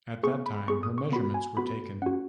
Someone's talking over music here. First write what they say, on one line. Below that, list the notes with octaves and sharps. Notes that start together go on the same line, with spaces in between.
At that time her measurements were taken.
B3 G#4 C#6
B5
B3 G#4 C#6
D#6
C#6
B3 F#4 B5
G#5
B3 F#4 B5
C#4 F#4 F#5